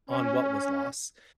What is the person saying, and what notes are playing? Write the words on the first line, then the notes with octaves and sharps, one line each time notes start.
on what was lost,
C#4